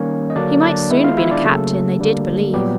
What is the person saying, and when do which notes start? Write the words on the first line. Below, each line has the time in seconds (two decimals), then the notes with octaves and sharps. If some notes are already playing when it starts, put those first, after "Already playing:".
He might soon have been a captain, they did believe!
Already playing: D#3 G3 A#3 C#4 C#5
0.30 D#5
0.36 D3 F#3 A#3 D4 D5
0.62 D4 D5
0.90 D#3 G#3 B3 E4 E5
1.04 F4 F5
1.17 E4 E5
1.31 D4 D5
1.44 C#3 F#3 A3 A#3 A4
1.99 D3 G3 A#3
2.54 A#2 F#3 G3 B3 G4